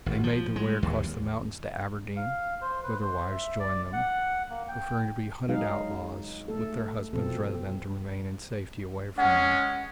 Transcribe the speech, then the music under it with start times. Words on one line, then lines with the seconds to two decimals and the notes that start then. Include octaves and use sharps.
They made their way across the mountains to Aberdeen, where their wives joined them, preferring to be hunted outlaws with their husbands rather than to remain in safety away from them.
0.06 G#1
0.24 F3
0.56 G#3
0.83 D#2
2.16 F5
2.61 C5
2.83 B4
3.01 C5
3.31 E5
3.60 D5
3.93 F#5
4.50 A#3
4.68 G5
5.48 F#3 G#3 D#4 G#4 F5
6.48 A3 A4
7.13 B2 F3 C4 A4
9.18 G#3 C#4 F#5